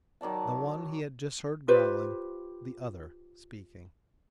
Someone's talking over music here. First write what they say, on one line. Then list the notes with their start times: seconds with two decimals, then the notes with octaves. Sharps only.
The one he had just heard growling, the other speaking.
0.21 D#3 F#3 D5 A5
1.68 F4 G4 B4 C5